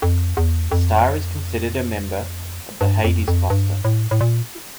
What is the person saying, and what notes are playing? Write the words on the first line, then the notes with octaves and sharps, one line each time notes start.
The star is considered a member of the Hyades cluster.
F2
E2
F2
G2
F2
F2
G2
A2
A2
A#2